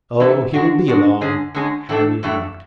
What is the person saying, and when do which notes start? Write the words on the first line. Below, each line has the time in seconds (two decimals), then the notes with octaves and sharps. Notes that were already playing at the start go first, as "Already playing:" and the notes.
"Oh, he will be along," Harry remarked.
0.20 E3 B3 E4 A4
0.54 G#3 D4 F#4
0.88 G#3 D4 F#4
1.21 D3 G#3 C#4 G#4
1.55 D3 G#3 C#4 G#4
1.89 A2 E3 A3 D4 A4
2.23 A2 E3 A3 D4 A4